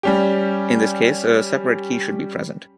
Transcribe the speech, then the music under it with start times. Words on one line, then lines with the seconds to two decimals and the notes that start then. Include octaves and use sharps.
In this case, a separate key should be present.
0.03 G3 C#4 G4